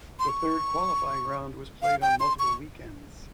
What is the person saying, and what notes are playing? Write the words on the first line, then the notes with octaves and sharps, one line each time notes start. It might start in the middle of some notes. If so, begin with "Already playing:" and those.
The third qualifying round was played on multiple weekends.
C6
C#6
F5
G5
C6
C#6